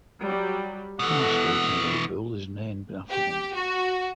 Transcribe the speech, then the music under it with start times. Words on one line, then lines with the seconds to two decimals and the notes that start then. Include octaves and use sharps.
Parr Street in Liverpool is named after him.
0.22 F#3 G3
0.99 B2 E3 A4 F#5
3.09 G4
3.55 F#4